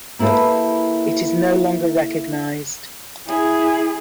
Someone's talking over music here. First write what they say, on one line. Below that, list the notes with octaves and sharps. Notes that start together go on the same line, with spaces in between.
It is no longer recognized.
A#3 E4 G4 A4 B4
E4 G#4